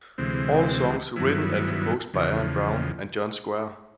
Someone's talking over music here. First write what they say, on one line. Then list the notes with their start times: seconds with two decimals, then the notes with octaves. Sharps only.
All songs written and composed by Ian Brown and John Squire.
0.18 D2 C3 E3 G#3 C4
1.16 G2 D#3 F#3 B3 E4
2.13 E2 C#3 F3